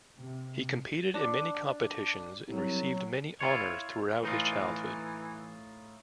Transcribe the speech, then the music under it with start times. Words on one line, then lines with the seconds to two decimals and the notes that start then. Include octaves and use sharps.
He competed in many competitions and received many honors throughout his childhood.
0.21 C3
1.14 D4
2.48 C2 F#3
3.41 E4 F4 C#5
4.23 A2 E3 D#4 F4